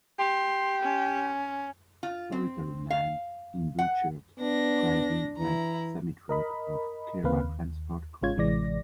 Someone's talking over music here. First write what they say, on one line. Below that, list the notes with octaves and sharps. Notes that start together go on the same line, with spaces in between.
Solitary man in blue shirt driving red semitruck of Khera Transport Corp.
G4 C6
C#4
F4
C4
F5
F#5
B3 D4 A#6
E3 E4 A#5
A#4 D#5 B5
D2 C#3 A#3 C4 B4 F5
D#2
A1 G#3 C#4 F4 C#5 G#6
A1 C3 E3 G#3 D5 A#6